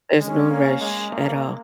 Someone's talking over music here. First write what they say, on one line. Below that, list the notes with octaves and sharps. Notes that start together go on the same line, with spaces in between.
There's no rush, at all.
G#3 C#4
A#3
G#3
A#3